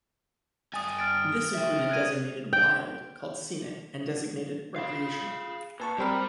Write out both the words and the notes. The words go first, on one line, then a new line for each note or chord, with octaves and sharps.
This included designated "wild", called "scenic", and designated "recreational".
G2 G#5 D#6 A6
F6 A6 D7
C5 E5
F#6 G#6 D#7
G5
F4 G#4 F5
A#2 B4 A5 C#6
G3 C4 G4 A#4 B5